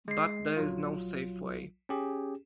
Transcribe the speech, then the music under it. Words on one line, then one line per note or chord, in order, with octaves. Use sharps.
But there is no safe way.
G#3 C7
A#1 F#3 F4
C#4 G4 G#4